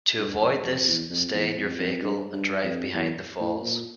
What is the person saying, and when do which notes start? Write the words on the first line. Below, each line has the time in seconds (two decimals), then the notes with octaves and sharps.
To avoid this, stay in your vehicle and drive behind the falls.
0.18 G2
0.41 F2
0.64 F2
0.87 E2
1.10 F2
1.33 E2
1.56 F2
1.80 F2
2.02 G2
2.33 G2
2.63 F2
2.94 E2
3.40 A2
3.62 A#2